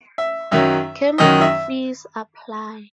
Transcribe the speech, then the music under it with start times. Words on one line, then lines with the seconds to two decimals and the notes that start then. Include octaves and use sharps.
Camping fees apply.
0.18 E5
0.51 F#2 D#3 F#3 E5
1.18 F#2 D#3 F#3 D#5
1.41 E5